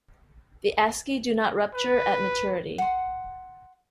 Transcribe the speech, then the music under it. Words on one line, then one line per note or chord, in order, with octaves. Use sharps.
The asci do not rupture at maturity.
B4
F#5 C6